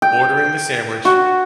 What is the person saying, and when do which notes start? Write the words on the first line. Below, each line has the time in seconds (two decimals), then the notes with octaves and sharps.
ordering the sandwich,
0.02 G5
1.05 F#4